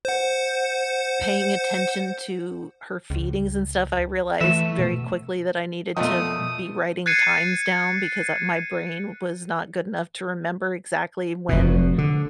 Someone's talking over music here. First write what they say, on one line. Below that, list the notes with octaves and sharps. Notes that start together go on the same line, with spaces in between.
paying attention to her feedings and stuff, I realized very quickly that I needed to be writing times down because, uh, my brain was not good enough to remember exactly when
C5 F#5
C#2
E3 A3 E5
B2
F2 B2 D#3 F3 A3 A#3 D4 D#6
F#6 G#6 A6 C7 C#7 D#7
F1 B2
D3